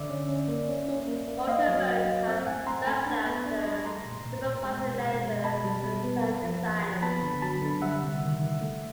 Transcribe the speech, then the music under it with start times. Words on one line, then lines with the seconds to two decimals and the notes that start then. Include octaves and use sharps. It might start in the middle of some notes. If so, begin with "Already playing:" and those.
Walter Murch served as the supervising editor and sound designer.
Already playing: D3 D5 E5
0.09 C#4
0.29 C#4
0.48 A#3
0.69 C#4
0.88 C#4
1.08 A#3
1.28 A#3
1.47 A#3 D#5 F5
1.68 F#3
1.88 F#3
2.07 F#3
2.27 C4 E5 F#5
2.46 A2 F#5 G#5
2.67 C4 A#5 C6
2.86 A3 A5 B5
3.06 D4
3.26 B3
3.45 D4
3.66 G3
3.85 A3 A#5 C6
4.05 A#2
4.25 A#2
4.45 A#2
4.65 G#3
4.84 B2
5.05 B2
5.24 G#3
5.44 B2 A5 B5
5.64 G3
5.83 B2
6.04 B3
6.24 A#3
6.43 F3
6.62 A#3
6.83 F3
7.02 B3 A5 B5
7.22 D3
7.42 F#3 A5 B5
7.62 D3
7.81 G3 E5 F#5
8.02 C3
8.22 D#3
8.42 D#3
8.61 A3